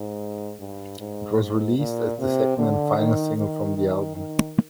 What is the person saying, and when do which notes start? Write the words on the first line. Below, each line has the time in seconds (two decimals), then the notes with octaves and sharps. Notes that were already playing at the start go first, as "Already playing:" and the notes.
It was released as the second and final single from the album.
Already playing: G#2
0.60 G2
0.99 G#2
1.39 G#2
1.78 A#2
2.19 C3
2.58 D3
2.98 D#3
3.37 D#3
3.78 D#3
4.16 D#3